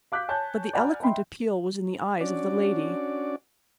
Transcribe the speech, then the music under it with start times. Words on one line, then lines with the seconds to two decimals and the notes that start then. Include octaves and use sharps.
But the eloquent appeal was in the eyes of the lady.
0.12 F5 D6 F#6 G6 B6
0.29 C#5 G#5 A5 G6
0.73 D5 F#5 G#5 A#5 B5 F6
1.03 D#5 E5 G5 B5 C6
2.21 C#4 D4 F#4 D5